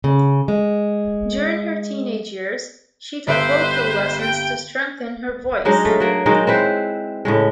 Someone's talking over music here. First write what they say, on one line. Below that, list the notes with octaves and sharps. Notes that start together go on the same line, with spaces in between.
During her teenage years she took vocal lessons to strengthen her voice.
C#3
G#3
G1 B4 C5 E5 D7
G5
F#3 G#3 D4 D#4
A3 F5
F#3 A#3
D#3 F#3 G#3 D#4
C4 E4 B4 C5
A2 C#3 G#3